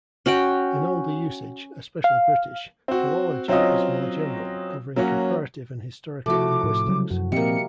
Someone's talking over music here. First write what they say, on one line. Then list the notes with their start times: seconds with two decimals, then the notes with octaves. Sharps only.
In older usage, especially British, philology is more general, covering comparative and historical linguistics.
0.26 C#4 F#4 F#5 G5
2.04 F5
2.88 C4 F#4
3.48 F#3 C4 C#4 F4 D#5
4.96 F#3 A#3 C#4 F#4
6.26 C3 F3 A3 E4 F#4 D6
6.63 A2
6.87 C#3 F#3 G3
7.10 F#2 F#4
7.32 A#2 F3 G3 A#3 C4 D#5 E5 C#7